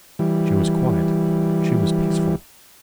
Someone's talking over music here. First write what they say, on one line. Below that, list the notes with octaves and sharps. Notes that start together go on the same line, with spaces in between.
She was quiet, she was peaceful.
E3 G3